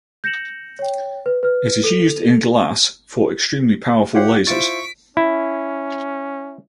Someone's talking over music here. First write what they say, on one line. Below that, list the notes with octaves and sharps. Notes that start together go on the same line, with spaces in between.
It is used in glass for extremely powerful lasers.
G6 A#6 C#7 E7 F#7
C#5 G5
B4
B4 F6
A4 F7
F4 G4 C#5 F5 F#5
E4 F4 C5 C#6 A6 B6 D7
C#4 E4